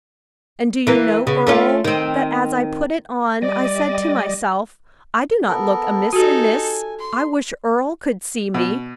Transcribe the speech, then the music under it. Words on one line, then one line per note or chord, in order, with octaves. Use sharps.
"And do you know, Earle, that as I put it on I said to myself, I do not look amiss in this; I wish Earle could see me."
E3 A#3
C#3 B3
A3 C#4 F4
D#3 C4
G3 D5 D#5
B3 A4 A#4
D#4 F#4 G4 A4 G#5
C6
B2